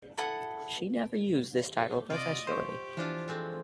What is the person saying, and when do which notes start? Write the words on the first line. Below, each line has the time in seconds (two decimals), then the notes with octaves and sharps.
She never used this title professionally.
0.17 E4 A4 F#5 D#6
2.10 C3 F4 D5 D#5
2.47 G4 C5 C6 C#6
2.97 E3 F3 D4 F4
3.28 G#3 A3 C4